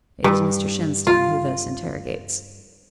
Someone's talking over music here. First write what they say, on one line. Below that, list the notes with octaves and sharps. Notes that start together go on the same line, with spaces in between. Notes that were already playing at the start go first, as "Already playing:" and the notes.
It is Mr Shenstone who thus interrogates.
G2
F4